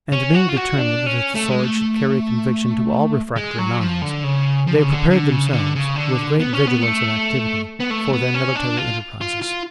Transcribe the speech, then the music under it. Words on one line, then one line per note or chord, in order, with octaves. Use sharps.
And being determined that the sword should carry conviction to all refractory minds, they prepared themselves, with great vigilance and activity, for their military enterprises.
C#4
F#4
F4
F#4
D4
C#4
A3
G#3
A3
G#3
F#3
F3
D3
C#3
F3
D3
C#3
D3
D3
C#3
D3
C#3
D3
B3
C#4
B3
A3
B3
A3
B3
C#4
D4
F4
F4
F4